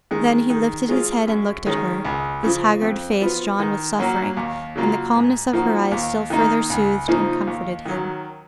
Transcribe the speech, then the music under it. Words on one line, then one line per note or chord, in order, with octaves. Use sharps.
Then he lifted his head and looked at her, his haggard face drawn with suffering, and the calmness of her eyes still further soothed and comforted him.
D#3 G#3
D#3
G#3 C#4 F4 G#4
F#2
D#3 G#3 C#4
C#2
C#3 F3
F2
F3 B3 F4
D#3
F#3 A#3 C#4 F#4
D#2
C#3 F#3 A#3 F4
G#2
F3 A#3 D#4 F#4
D#2
D#3 A#3 D#4
C#2
C#3 F3 A#3 D#4
D#2
D#3 F#3 C#4